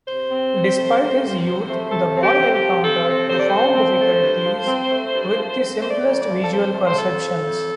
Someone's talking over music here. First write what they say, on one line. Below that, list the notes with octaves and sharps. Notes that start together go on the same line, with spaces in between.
Despite his youth, the boy encountered profound difficulties with the simplest visual perceptions.
C3 C5
C4
C3
A3
C3
C4
C3
A3
C3 A4
C4
G4
C3
G4
F3
C3 A4
C4
C3 C5
D5
F3 C5
C4
A3
G2
F3
C4
A3
G2
F3
C4 C5
A3 C5
D5
F2
D5
F3
A4
C4 C5
A3
C5
F2 A4
F3
F2